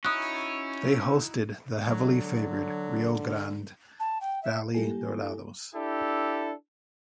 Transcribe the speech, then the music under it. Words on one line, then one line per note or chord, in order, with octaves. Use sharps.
They hosted the heavily favored Rio Grande Valley Dorados.
C#4 D#4 E4 F#4 D#6 F#6
D3 F#3
A5
G5
E5
G3 A#3 E4 G4 A4 G#5
D4 E4 G4 A4